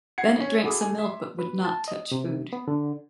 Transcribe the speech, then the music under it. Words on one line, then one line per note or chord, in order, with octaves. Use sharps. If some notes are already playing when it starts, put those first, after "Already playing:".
Bennet drank some milk but would not touch food.
F#5 G#6 C7 C#7
C#4
E4 F#4 G#4 A4 D6 D#6
A3 G#5
E5 C6
B4
A5
D#5
C3
B3
D3